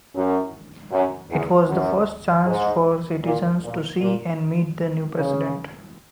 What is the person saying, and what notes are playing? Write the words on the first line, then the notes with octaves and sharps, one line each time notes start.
It was the first chance for citizens to see and meet the new president.
F#2
F#2
E2
F#2
G#2
A#2
A#2
A#2
C#3